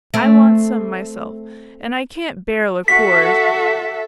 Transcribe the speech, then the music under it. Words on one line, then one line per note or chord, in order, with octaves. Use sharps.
I want some myself, and I can't bear liqueurs.
A3 C4
F#4 A4 E5 F#5 B6